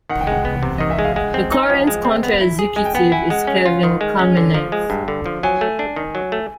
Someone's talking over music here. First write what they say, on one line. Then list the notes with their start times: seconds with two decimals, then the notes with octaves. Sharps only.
The current County Executive is Kevin Kamenetz.
0.10 D#3 F#5
0.21 G5
0.27 G#3 F#5
0.45 B3
0.63 C3
0.78 D#3 D#5
0.90 E5
0.99 G#3
1.04 F5
1.16 G#3 F#5
1.34 C4 G5
1.52 D#4 G#5
1.69 F3 G5
1.87 G#3
1.96 G#5
2.05 C4
2.23 B3
2.41 E4
2.59 G#4
2.76 G#3 G#5
2.85 G5
2.95 B3 F#5
3.12 E4 G#5
3.30 G#3 F#5
3.47 C#4
3.66 F4
3.83 D#3
4.01 G#3
4.19 C#4
4.37 D3
4.54 F3
4.72 G#3
4.90 G2
5.08 D3
5.26 F3
5.43 F#3 G#5
5.61 A3
5.79 D4
5.96 D#3
6.15 F#3
6.32 A3